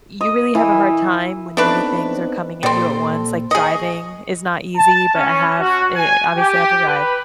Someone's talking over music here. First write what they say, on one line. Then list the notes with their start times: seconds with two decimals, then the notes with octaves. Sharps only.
you really have a hard time when many things are coming at you at once. Like, driving is not easy, but I have, eh, obviously, I have to drive,
0.21 D#5
0.55 E3
1.57 A3 B3 C4 D4 D#4 B4
2.63 A#2 G3 C4 A4 C5 C6
3.51 G#4 D#5 C#6
4.77 A5
5.14 C#4
5.60 F#4
5.96 G#5
6.37 G4
6.86 B4